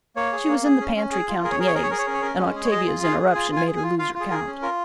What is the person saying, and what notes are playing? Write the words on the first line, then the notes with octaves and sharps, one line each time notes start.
She was in the pantry counting eggs, and Octavia's interruption made her lose her count.
A#3 C#5
G#4
A#3
G#4
C#4
C#4
G#4
F4
G#4 A#4
C#5
G#4 A#4
C#5
G#4 A#4
C#5
G#4 A#4
C#5
C#4 A#4
C#5
C#4 A#4
G#3
G#4
C#5
G#4 D#5
F4
G#4 F5
G#4
F4 G#5
F4
G#5
G#4
G#5
F4
F4 F5
F4
G#4
G#4 A#4
C#4
F4 A#4